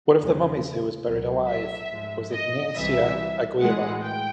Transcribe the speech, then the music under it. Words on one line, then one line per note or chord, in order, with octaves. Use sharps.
One of the mummies who was buried alive was Ignacia Aguilar.
E2 C#3 F3 G#3
C#2 B2 F#3
E5
G#2 F3 G#3
D#5
C2 C3 E3 E5
A2 E3 G#3 F#5
G5